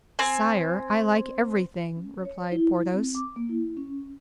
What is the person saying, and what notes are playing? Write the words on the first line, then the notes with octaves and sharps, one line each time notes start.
"Sire, I like everything," replied Porthos.
C4 G#5
C#4
C#5
E4
E4
C4
D6
A#3
E4
C#4